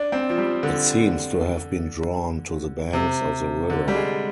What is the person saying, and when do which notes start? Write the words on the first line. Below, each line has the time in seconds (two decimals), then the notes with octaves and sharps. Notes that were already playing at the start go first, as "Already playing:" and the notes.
It seems to have been drawn to the banks of the river.
Already playing: D4
0.12 C4
0.30 F3
0.38 G3
0.63 D3
2.93 C3
3.70 D3
3.88 G3
3.95 G#3